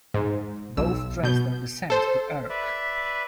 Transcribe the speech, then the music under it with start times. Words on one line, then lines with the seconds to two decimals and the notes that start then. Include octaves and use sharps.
Both trace their descent to Ercc.
0.14 G#2
0.77 B1 E6
1.23 B2 G6
1.90 A4 C5
2.49 B4 D5 E5